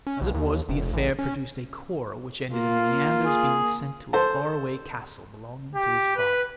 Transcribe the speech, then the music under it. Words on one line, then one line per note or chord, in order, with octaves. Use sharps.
As it was, the affair produced a quarrel, which ended in Leander's being sent to a far-away castle belonging to his father.
C#4
B1
D#2
F1
A1
C#4
A#3 F4
G#4
A4 C5
G4
B4